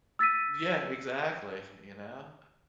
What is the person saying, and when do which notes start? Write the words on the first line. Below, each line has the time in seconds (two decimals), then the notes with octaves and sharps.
Yeah, exactly, you know?
0.19 E6 A6 B6 D#7